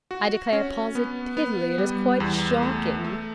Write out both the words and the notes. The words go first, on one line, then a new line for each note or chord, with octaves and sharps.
I declare positively it is quite shocking.
F#4
C#4
B3
B3
G3
E2
A3
A3